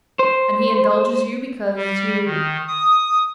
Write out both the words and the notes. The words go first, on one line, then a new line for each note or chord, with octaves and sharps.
And he indulges you because you . . .
C5
G3
D#3
D#6